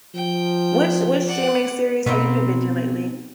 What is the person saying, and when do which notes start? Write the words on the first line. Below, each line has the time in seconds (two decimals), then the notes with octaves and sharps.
which which streaming series have you been binging lately?
0.15 F3 G5
1.27 D5 F#5
2.06 B2 C4 D#4 B4